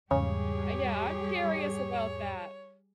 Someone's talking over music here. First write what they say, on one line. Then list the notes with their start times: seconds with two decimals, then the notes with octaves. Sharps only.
Uh, yeah, I'm curious about that.
0.11 E2 G#2 C#3 G3 G4 G#4 C#5